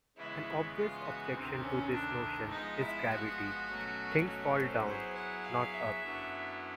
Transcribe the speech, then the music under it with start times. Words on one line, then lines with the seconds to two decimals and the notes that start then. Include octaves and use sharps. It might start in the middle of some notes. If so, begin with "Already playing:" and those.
An obvious objection to this notion is gravity: things fall down, not up.
0.17 C#3 E3 G#3 B3 E4
0.76 F4
1.06 F#4
1.34 D2 C3 D#3 C4
1.63 C#4
1.93 D4
2.51 F3 G#3 B3 D#4
2.81 E4
3.10 F#4
3.69 B2 F#3 A3 C#4
4.28 F#4
4.56 C5
4.85 F#3 B3 E4 G#4 C5
5.15 F#5
5.45 F5
5.74 E5
6.03 F#2 D3 F#3 B3 E4